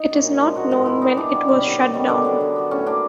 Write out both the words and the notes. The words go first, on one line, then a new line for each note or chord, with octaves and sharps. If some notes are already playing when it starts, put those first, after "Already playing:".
It is not known when it was shut down.
Already playing: D#4
F#3 A#3 C#4
A#2
F3 G#3
A#2 F#4
F3 G#3 F4
E3 E4
G3 B3 D#4
E3 D4
G3 B3
C3 C#4
D#3 G3 B3
C3
D#3 G3 B3
D3 D4
F#3 B3
D3
F#3 B3
A2 C#4
F#3 A#3 D4